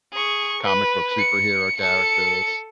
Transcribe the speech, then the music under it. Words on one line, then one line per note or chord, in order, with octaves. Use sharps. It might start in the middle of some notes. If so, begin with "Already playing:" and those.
comic book superhero characters.
G#4 C#6
B4
C#7
A4 C#7